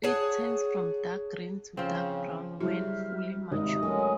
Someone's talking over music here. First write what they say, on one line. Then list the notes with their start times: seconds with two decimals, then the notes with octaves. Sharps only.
It turns from dark green to dark brown when fully mature.
0.03 G#4 C#5 F#5 A5
1.77 C#3 F3 C4
2.60 F#3 G3 E4 F#4 G#4 C5 E5 F6
3.52 G#1 G#2 C3 G#3 D#5 D#6
3.83 F#3 G#3 A3 C#4 A#4 G#5